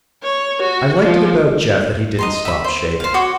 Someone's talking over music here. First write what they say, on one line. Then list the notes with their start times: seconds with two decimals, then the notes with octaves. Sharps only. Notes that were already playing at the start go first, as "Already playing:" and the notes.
I liked it about Jeff that he didn't stop shaving.
0.23 C#5
0.62 F#4
1.02 F3
2.19 D#5 A#5 C6
2.45 E5 B5
2.64 C5
3.00 C5 F5
3.14 F#4 C#5 C6 D6